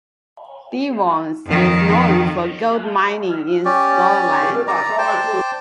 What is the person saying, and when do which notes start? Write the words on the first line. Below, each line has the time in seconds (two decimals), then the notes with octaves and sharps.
De Vos is known for gold mining in Scotland.
1.46 F2 D#3
3.65 C#4 G4 D5
4.67 D5 A#5
4.98 C5 D5 G5 A5